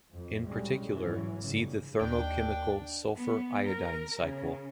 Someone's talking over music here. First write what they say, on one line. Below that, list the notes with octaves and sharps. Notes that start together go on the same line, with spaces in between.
In particular, see the thermochemical sulfur-iodine cycle.
F2
B1 A2 G3 G#3 C#4
G#2 E3 F#3 C#4
G1 C#3
D#2 D4 G5
B3
A#4
C#3